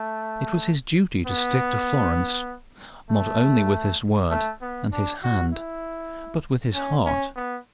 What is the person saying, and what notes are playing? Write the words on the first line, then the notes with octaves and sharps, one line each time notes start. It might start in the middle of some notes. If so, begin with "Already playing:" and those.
It was his duty to stick to Florence, not only with his word and his hand, but with his heart.
Already playing: A3
B3
A3
A3
B3
D4
F#4
E4
C#4
C#4
B3